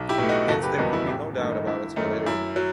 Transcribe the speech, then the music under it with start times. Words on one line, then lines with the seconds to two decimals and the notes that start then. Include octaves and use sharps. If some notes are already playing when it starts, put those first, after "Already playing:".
Hence there could be no doubt about its validity.
Already playing: B1
0.09 E4 G4
0.18 B2 A3
0.29 D#4 F#4
0.48 F#1 F#4 A4
0.63 G4 B4
0.78 E2 D#3 G3 B3 D#4 F#4
0.93 E4
1.07 A1 E4 G4
1.37 G2 D#3 A3
1.52 D#4
1.67 G1 E4
1.96 F#2 D#3 A3 D#4
2.26 F#2 E4
2.56 F#3